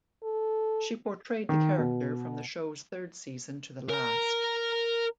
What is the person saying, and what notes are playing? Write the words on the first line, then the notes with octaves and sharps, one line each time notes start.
She portrayed the character from the show's third season to the last.
A4
D#3
B2
A#4 A#5